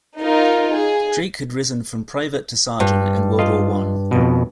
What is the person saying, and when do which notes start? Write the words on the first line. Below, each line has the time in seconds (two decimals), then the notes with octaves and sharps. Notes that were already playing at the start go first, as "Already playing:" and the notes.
Drake had risen from private to sergeant in World War One.
0.21 D#4 F4 A#4
0.76 G#4
2.80 G2
3.39 F4 D#5 F5
4.11 F2 B2